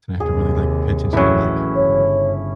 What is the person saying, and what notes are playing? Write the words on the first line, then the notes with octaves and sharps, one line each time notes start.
so I have to really, like, pay attention to, like,
D#2 C3 G#4
A1 F#3 C#4 E4
G1 C#3 C#5